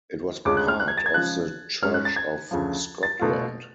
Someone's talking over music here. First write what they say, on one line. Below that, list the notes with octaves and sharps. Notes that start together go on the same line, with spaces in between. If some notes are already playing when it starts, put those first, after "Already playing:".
It was part of the Church of Scotland.
D2 C#3 G#3 C#4 F4 D6
F#6
F6
F#6
G#6
A6
G#6
C#3 F3 G#3 F#6
G#2 G#3 C#4 F6
F#6
A6
G#6
D2 C#3 F3
A6
B2 A3 F4